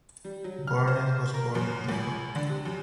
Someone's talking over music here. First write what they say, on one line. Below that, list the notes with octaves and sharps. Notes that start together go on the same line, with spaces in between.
Burnett was born in Devon.
G3
F#3
F6
C5
A#4
F#2
C#2
D3
C3
F#2